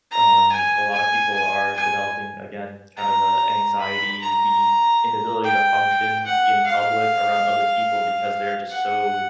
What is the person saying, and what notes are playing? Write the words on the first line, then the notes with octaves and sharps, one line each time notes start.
Um, a lotta people are developing, again, kinda of, uh, anxiety, the inability to function in public around other people because they're just so
A#5
G#5
G#5
G#5
G#5
A#5
B5
A#5
G5
F#5
F5
F#5